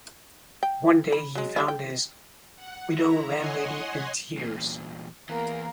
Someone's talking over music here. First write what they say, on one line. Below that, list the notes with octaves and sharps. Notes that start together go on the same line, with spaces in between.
One day he found his widow-landlady in tears.
G5
B5
F#3 G#3
G3 D4 E4
G5
F#5
E4 A#5
C#5 D#5 F#5 G#5 C6
E2 A#2
E2 E3 A#3 A#4